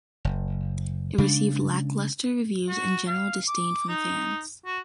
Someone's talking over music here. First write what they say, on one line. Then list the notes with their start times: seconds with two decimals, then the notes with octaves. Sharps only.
It received lackluster reviews and general disdain from fans.
0.25 F#1
1.18 C#3 G#3 D4
2.68 F#4
3.07 F5
3.48 D6
3.89 D#4
4.66 F#4